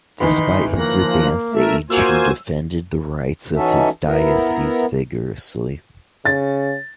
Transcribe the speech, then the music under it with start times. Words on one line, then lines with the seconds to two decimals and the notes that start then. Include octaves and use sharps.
Despite his advanced age, he defended the rights of his diocese vigorously.
0.20 G1 D#3 E3 D#4 B5 C6
0.78 F3 A#3 F#6 A#6
1.52 A3 A#4 E5
1.90 A#3 F4 F#4 C5 G#5 E6
3.56 E3 C#4 D#4 F#4 A4 E5
4.07 B3 E4 A#4
6.25 C#3 A6